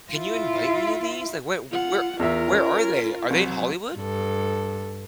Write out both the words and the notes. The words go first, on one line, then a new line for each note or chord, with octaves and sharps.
can you invite me to these? Like, what w where where are they? Are they in Hollywood?
E4 F4
F4 F#5
E2 F4 A#4 E5
C#4
C2 F#3
G2 A4